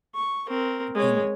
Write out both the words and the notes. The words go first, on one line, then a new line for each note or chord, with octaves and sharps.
you're being
C#6
C4 A#4
G#3 C#5